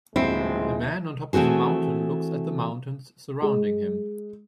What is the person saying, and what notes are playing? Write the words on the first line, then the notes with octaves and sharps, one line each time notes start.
A man on top of a mountain looks at the mountains surrounding him.
D#1 A1 D3 F3 F#3 G#3 C4 E4
E3 A3 C4 F#4 G#4
G#3